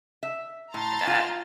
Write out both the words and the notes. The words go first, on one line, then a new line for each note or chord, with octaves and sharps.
I bet.
E5
A2 A#5 C6 A6
F4